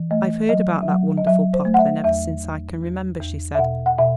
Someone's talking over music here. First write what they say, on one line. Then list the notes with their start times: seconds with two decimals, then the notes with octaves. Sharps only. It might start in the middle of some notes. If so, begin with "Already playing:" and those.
"I've heard about that wonderful poplin ever since I can remember," she said.
Already playing: E3
0.11 A3 D#5
0.49 F#3 D#5
0.82 E5
0.88 F#3 F#5
1.17 D#5
1.27 F#3 E5
1.53 C5
1.65 A3
1.74 F#5
1.79 E5
2.04 E2 E5
2.44 E2
2.82 E2
3.20 E2
3.55 E5
3.59 B2 F#5
3.86 F#5
3.98 B2 E5